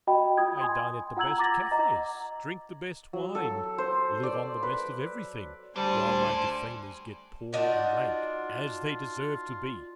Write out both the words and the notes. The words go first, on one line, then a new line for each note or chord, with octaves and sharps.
I dine at the best cafes, drink the best wine, live on the best of everything, while my defamers get poor and lank, as they deserve to be.
F#4 D#5 G5 B5
F4 D#6 G#6
G#5 C6
F4 F#5 A#5 E6 G#6 F#7
A#5 D6 A6 A#6
D#5 F#5 A#5
F#3
A4
C5
D5
B4
D2 G3 D4 A4 C5 G#5 C6
D4 D#4 F4 F#4